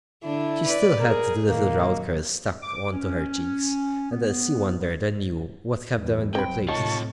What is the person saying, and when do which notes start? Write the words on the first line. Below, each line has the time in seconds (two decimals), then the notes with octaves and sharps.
She still had the little round curls stuck on to her cheeks, and Elsie wondered anew what kept them in their places.
0.24 D3 D4 E4
0.65 B4 D5
1.00 G#4 A#4
1.49 A#2 D#3 A#3
1.83 F#3
2.63 D6
2.91 C#4
4.11 B3
5.96 E2 G2 B3
6.35 B1 G2 F#3 C4 G5 B5
6.69 A2 C3 D#3 F4 C#5 A5 C#6